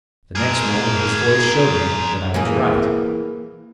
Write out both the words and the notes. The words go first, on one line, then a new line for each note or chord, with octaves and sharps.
The next moment his voice showed me that I was right.
G#4 A#4
E3 A#3 G#4